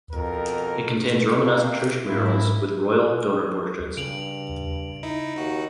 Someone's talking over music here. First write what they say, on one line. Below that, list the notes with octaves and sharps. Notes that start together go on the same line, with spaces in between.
It contains Romanesque church murals with royal donor portraits.
F2 B2 A#4
C3 A#3
G#2 A#3 E4
G2 C#3 D7 F7 F#7
D#4 E4
D#2 D#4 F#4